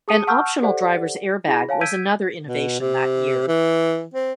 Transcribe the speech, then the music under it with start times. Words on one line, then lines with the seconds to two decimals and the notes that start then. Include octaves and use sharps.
An optional driver's airbag was another innovation that year.
0.08 G#4 A5 D#6 C#7 D#7
0.27 F#5 A5 C#6 E6 F6 G6
0.62 G4 A4 C5 D5 F#5
1.47 E4 G#4 B5 A#6
1.69 C#5 F5 G#5 A5
1.81 E6 G6 G#6 B6 D7 D#7
2.47 B2
2.80 C3
3.48 E3
4.14 C4